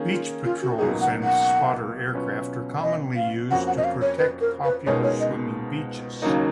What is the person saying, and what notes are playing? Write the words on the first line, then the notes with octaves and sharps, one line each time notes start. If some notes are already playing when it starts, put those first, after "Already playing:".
Beach patrols and spotter aircraft are commonly used to protect popular swimming beaches.
Already playing: D#3 A#3 C#4 G#4
F4
F4
F#4
C#2 B2 F#3 A#3 D#4 G#4
F#5
F#5
B2 F#3 C#4 F4 B4
D#5
F5
F2 F3 A#3 C#4 F#4 F#5
F#5
D#5
F5
C#5
B4
A#4
B4
C#2 B2 G#3 D#4 A#4 C#5
C#5
D#5
D#2 C#3 F#3 A#3 D#4